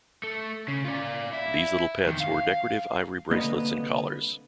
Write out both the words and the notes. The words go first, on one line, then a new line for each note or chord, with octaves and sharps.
These little pets wore decorative ivory bracelets and collars.
A3
C#3
F4 D5
E4
E2 D#3
F5
C2 D3 A#3 B3 D#5